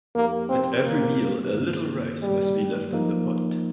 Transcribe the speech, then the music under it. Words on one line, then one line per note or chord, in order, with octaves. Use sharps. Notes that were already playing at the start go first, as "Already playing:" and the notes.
At every meal a little rice must be left in the pot.
F2 F3 A#3 D#4 G4
C4
A#3
G2 D#3 A#3
G3
F3 A#3 D#4